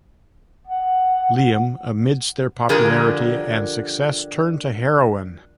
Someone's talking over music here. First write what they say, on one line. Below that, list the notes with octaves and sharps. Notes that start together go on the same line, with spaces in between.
Liam, amidst their popularity and success, turned to heroin.
F#5
D3 F3 G3 G#4 A#4